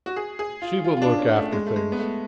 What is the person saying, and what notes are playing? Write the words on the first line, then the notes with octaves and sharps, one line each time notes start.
She will look after things.
F#4
G#4
G#4
F4
F4
F4
D4
C#4
A3
G#3
A3
G#3
B3
A3